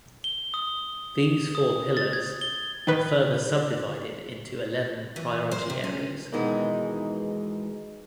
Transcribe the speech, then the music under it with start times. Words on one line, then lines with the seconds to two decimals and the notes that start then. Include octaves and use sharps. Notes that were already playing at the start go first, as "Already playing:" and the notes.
These four pillars are further subdivided into eleven priority areas.
0.24 G7
0.54 D#6
1.55 D#6
1.97 A6
2.13 G#6
2.41 G7
2.87 D#3 B4
5.16 E3
5.51 C5
5.70 C3
5.84 C#4
6.32 G#2 B2 D#3 E3 G#3 D#4